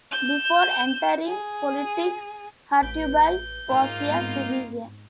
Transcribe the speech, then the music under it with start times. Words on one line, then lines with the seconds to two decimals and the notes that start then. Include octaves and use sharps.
Before entering politics, Hurtubise was a physician.
0.11 G6 E7
1.27 G#4
2.82 A1 B4 G6 D7
3.69 G#2 A#3 D#4 F4 A#5
4.11 B3 C4